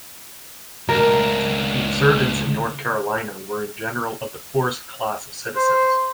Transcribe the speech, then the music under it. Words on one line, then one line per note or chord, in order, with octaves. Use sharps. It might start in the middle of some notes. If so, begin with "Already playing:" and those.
The insurgents in North Carolina were in general of the poorest class of citizens.
C#2 D4 A#4
C5